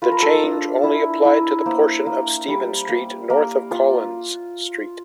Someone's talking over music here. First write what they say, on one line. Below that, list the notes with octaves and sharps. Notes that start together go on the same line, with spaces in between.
The change only applied to the portion of Stephen Street north of Collins Street.
F4 B4
A#4
A4
A#4
D4
E4
E4
A#3 C5
A#3
G3
A#3
A#3
F4